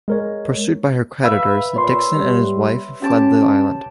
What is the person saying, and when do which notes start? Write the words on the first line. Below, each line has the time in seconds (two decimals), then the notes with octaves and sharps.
Pursued by her creditors, Dixon and his wife fled the island.
0.08 G#3 A#4 C#5
1.24 B4 E5 F5
1.76 A#2 C#5 C6
2.14 G3
3.02 C#4 G4 A5 D6